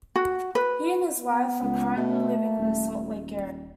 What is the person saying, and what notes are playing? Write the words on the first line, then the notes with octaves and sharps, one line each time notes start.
He and his wife are currently living in the Salt Lake area.
F#4
B4
B3
C#2
B2 A3
D#1